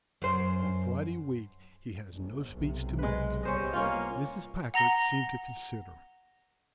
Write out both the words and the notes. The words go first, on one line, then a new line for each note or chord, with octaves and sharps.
"On Friday week he has no speech to make." Mrs. Packard seemed to consider.
F#2 C5
G1
B1 C3
G#3 B4
C2 G3 B3 C#4 C5 D#5
A#3 C#4 F4
F#5 A#5 A#6 G7